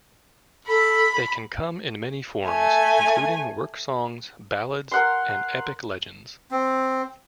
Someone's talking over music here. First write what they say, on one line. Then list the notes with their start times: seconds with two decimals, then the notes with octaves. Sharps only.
They can come in many forms, including work songs, ballads and epic legends.
0.68 A4 B5
2.47 A3 G#5
4.91 A#4 F#5 C6
6.51 C4